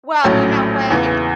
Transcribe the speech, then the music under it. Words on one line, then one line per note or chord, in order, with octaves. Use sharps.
Well, you know what, i
A#1 A2 F#3 A3 C#4
E2 C#3 E3